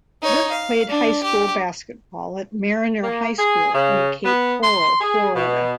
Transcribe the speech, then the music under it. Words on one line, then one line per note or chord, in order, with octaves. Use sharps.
Burke played high school basketball at Mariner High School, in Cape Coral, Florida.
D#4 C#5
F5
D4
G4
A#3
G#4
C#3
B3
C6
G#4
B2